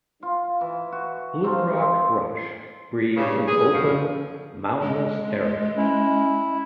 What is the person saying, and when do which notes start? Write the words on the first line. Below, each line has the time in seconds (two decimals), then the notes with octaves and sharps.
Blue rock thrush breeds in open mountainous areas.
0.22 F4
0.61 E3
0.92 F#4
1.44 C4 D#4 A4 F5
1.77 G#3 C6
3.15 G2 C#3
3.47 G#4
3.72 F#2 B2 F3
4.82 G#3
5.77 C#4 E4